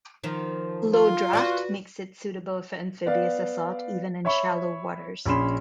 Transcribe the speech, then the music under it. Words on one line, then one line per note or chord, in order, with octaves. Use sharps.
Low draft makes it suitable for amphibious assault even in shallow waters.
D#3 F3
F4
F#4 B4 D5
B3 D5 F5
C#5 E5 B5 C#6
A#1 C#4 B5 C6 E7